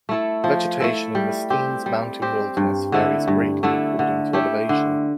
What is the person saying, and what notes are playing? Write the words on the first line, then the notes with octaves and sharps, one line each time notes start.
Vegetation in the Steens Mountain Wilderness varies greatly according to elevation.
A3 E4 A4
F3
A3 E4 A4
G3
C4 G4
G3
C4 G4
G2
D3 A3 E4
G2
D3 A3 E4
D3
A3 E4 G4
D3